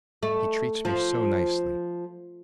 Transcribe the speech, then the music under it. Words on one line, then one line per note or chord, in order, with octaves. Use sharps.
He treats me so nicely.
A3
F3